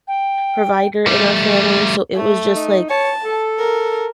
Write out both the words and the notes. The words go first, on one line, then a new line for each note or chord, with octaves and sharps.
provider in our family, so it was just, like,
G5
G3 A3
A3
D#4
C#5 A5
A4
A#4